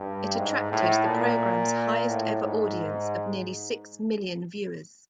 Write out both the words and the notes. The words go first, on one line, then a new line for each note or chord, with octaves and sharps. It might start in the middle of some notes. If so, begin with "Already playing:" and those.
It attracted the programme's highest ever audience of nearly six million viewers.
Already playing: G2
G#2
A2
A#2
A2
G#2